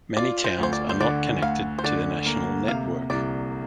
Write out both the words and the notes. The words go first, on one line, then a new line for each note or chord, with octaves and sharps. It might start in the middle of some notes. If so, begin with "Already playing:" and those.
Many towns are not connected to the national network.
F4 D5
C5
D2 C5
D5
C5
D3 D5
D2 F5
C5
D3 D5
A#3
C3 F5
C2 D5